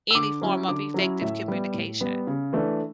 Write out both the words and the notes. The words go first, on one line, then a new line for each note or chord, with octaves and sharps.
any form of effective communication.
E6
D3 D6
F#3 C#4 E4
D3 D6
F#3 C#4 E4
A2 E5
G3 B3
A2
G3 B3
C#3
E3 A3 D4